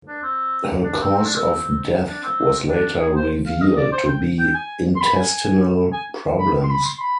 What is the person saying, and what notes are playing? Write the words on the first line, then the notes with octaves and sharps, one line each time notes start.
Her cause of death was later revealed to be intestinal problems.
D4
C4
D4
C4
C4
D4
C4
D4
C4
D4
G#4
C5
F5
D#5
D5
C5
G5
G5
G#5
C6
B5
G#5
G#5
B5
C6
B5
C6
B5